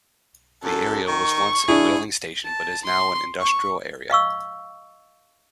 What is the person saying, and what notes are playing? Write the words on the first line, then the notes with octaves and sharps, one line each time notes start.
The area was once a whaling station, but is now an industrial area.
F#2 A4
D#3 C#6
D4 E4 G#4
A5
C6
C#6
D#5 F5 C#6 E6